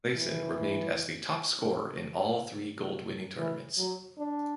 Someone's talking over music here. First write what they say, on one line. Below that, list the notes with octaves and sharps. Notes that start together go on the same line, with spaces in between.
Claesson remained as the top scorer in all three gold winning tournaments.
E3
E3
F#3
D4